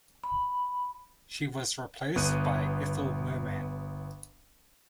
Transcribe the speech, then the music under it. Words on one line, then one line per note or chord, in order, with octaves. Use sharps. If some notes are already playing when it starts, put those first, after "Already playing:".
She was replaced by Ethel Merman.
B5
G1 B3 F#6 D#7